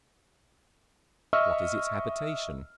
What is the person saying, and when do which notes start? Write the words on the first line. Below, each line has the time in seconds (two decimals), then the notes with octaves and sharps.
What is its habitation?
1.33 D#5 E5 C#6 E6 F6